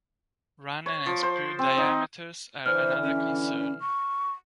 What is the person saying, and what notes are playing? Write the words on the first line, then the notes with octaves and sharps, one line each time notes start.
Runner and sprue diameters are another concern.
C#5
F3
C5
C4
D#4
D3 E3 C5 F6
C#4
C#6